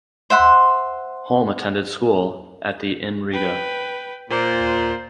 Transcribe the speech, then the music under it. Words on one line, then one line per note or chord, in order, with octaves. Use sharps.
Holm attended school at the in Riga.
C5 E5 F#5 C6
B4 G5
A#2 C5